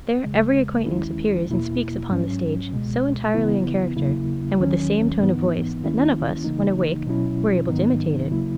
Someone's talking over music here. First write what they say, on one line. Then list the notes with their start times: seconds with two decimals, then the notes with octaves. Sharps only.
There every acquaintance appears and speaks upon the stage, so entirely in character, and with the same tone of voice, that none of us, when awake, were able to imitate it.
0.24 D#2 C#3 G#3
0.86 D#2 D#3 G#3 C#4 E4
1.48 E2 B2 A#3 E4
2.10 G#2 F#3 C#4
2.72 C#2 B2 G#3
3.34 C#3 E3 B3 E4
3.96 E2 C#3 F#3 A#3 E4
4.58 D#2 D#3 F#3 C#4
5.20 G#2 E3 B3 D#4
5.82 D#2 D#3 A#3 C#4 E4
6.44 C#3 E3 A#3 D#4
7.07 B2 F#3 C#4 E4
7.69 G#2 D#3 F#3 B3 D#4
8.30 D#2 C#3 F#3 A#3 E4